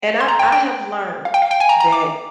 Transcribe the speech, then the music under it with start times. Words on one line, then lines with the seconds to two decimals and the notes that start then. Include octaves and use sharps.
And I I have learned that
0.20 C6
0.28 A#5
0.39 G5
0.52 G5
1.25 F5
1.34 G5
1.42 F5
1.51 G5
1.60 G#5
1.69 A#5
1.80 A#5
1.92 D6